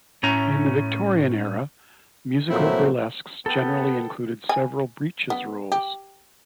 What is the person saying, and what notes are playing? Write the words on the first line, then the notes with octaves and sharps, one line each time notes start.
In the Victorian era, musical burlesques generally included several breeches roles.
A2 A3 C#4 A#5
A#2 F3 F#3 A3 C4 E4
B3 A4 G5
G#5
B3
G4